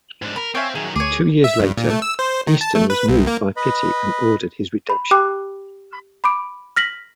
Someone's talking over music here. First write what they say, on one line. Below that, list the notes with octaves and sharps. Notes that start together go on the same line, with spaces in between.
Two years later, Easton was moved by pity and ordered his redemption.
G#2 D4
A#4 B5
C4 C#5 E5 F5 G5 G#5
D#3 F#3 G#4
D2 G#4 C#5 D6
E5
G2
A#2
A3
E6
C5
D#3
A5
A3
B4
C2
A#3
B4 D#5 B5
B5
G4 G5 D6 F#6
B5 D6 D7
F6 A#6 B6 F#7